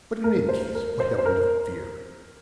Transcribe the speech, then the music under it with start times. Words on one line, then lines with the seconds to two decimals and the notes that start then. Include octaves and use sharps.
But in any case what have we to fear?
0.24 A#4
0.49 C5
0.75 A#4
1.00 C5
1.18 C5
1.26 A#4